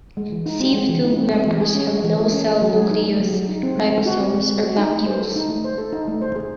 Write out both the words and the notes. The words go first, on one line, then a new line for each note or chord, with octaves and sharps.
Sieve tube members have no cell nucleus, ribosomes, or vacuoles.
G#3
E3
D#4
C4
G#3
E3
D#4
C4
G#3
E3
G#4
C#4
G#3
E3
G#4
C#4
A3
F#3
G#4
D#4
A3
F#3
G#4
D#4
C4
G#3
G#3
F#4
C4
G#3
G#3
F#4
D#4
A3
C5
A4
D#4
A3
C5
A4
D#4
A3
C5
G#4